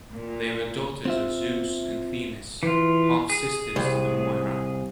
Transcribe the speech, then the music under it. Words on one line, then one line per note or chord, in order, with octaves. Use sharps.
They were daughters of Zeus and Themis, half-sisters to the Moirai.
A#2
C4 F4 E5
E3 F4
G#4
C2